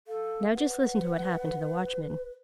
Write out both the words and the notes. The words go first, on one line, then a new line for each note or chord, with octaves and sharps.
Now just listen to what happened to the watchman.
A4 F5
B4 F#5